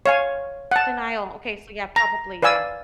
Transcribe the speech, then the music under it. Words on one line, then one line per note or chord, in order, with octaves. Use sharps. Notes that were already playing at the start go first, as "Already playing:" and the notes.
Denial. Okay, so, yeah, probably, yeah.
C#5 F5 G#5
F#5 A5
A#5
B4 D5 F5 G#5 E6